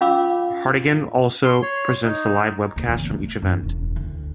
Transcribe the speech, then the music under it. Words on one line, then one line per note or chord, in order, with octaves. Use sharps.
Hartigan also presents the live webcast from each event.
C#4 F4 F5 B5 D6 E6
C6
C#5
D#4
D#2
F#1 E2
A3
F#2
E1
D2